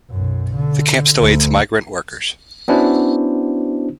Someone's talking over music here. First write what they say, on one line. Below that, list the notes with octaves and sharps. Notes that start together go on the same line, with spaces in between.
The camp still aids migrant workers.
B1 F#2
D3
D2
B3 C#4 D4 E4 F#4 C5